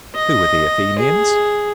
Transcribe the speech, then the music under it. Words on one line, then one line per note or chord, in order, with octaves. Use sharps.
Who were the Athenians?
D#5
G#4